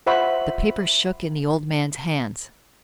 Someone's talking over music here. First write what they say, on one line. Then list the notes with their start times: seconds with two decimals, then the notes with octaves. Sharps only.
The paper shook in the old man's hands.
0.06 F4 C5 E5 F#5 B5 C#6